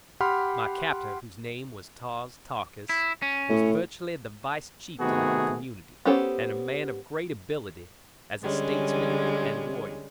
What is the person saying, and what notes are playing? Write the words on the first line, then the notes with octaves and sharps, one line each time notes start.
My captor, whose name was Tars Tarkas, was virtually the vice-chieftain of the community, and a man of great ability as a statesman and warrior.
G4 F#5 B5 C6 F6
E4
C#4
A2
C3 D#3 A3 B3 F#4 G#4
B3 C#4 G4 A4 C5
D3 G3 G#3 C#4